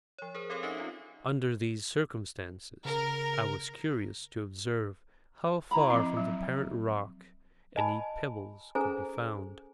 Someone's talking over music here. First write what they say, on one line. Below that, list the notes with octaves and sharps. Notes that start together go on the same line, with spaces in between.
Under these circumstances I was curious to observe how far from the parent rock any pebbles could be found.
F3 C#5
G#4 A#4 C5
C4 G4 A4 A#4 C#5 F5
C#4 D#4 D#5 E5 C7
C4 D#4 F4
C#3 A#4
E4 A#5 B5
F3 C4
F#3
D#5 G#5 A5 B5
C#4 G#4 A4 C5 G#5 A#5